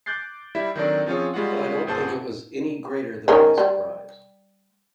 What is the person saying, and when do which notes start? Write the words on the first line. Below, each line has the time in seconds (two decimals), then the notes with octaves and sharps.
But I don't think it was any greater than my surprise.
0.06 D6 F#6 G6 A6 C7
0.55 G3 E4 E5
0.75 D#3 F#3 C4 D4 A4 D5
1.06 F3 C4 C#4 F4 G#4 C#5
1.34 G3 G#3 F4 F#4 F#5
1.87 G1 A#2 G#4 C5 F#5 A5
3.28 D#3 C#4 A#4
3.58 G3